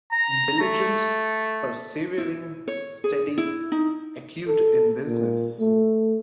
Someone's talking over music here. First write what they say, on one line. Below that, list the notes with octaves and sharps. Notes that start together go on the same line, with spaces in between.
Diligent, persevering, steady, acute in business.
A#5
A3
E4
C#5
G#4
E4
D#4
A4
A#2
A3